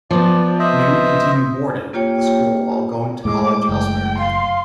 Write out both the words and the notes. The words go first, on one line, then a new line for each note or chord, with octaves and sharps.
Many continue boarding at the school while going to college elsewhere.
F3 B3 D5
C5 D#5 E5
A#3 F4 G4 C#5 G5
A2 G#3 D6
F#1 G5
F5 C6